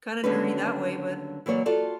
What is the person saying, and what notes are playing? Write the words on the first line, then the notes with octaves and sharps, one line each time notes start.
kinda nerdy that way, but
D#2 D3 F#3 G3 C#4 B4
E3 F#3 A#3 C#5 D5
F4 F#4 A4 D5 A5